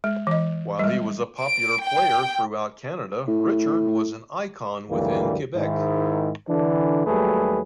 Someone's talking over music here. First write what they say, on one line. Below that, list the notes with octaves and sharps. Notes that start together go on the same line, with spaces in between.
While he was a popular player throughout Canada, Richard was an icon within Quebec.
G#3
E3 D#5
G3 G#3
D7
G5
A2
C#2 F#2 D3 E3 G3 A#3
G#2 D#3 E4
D3 E3 D4
D#2 F#3 G3 A3 G#4 B4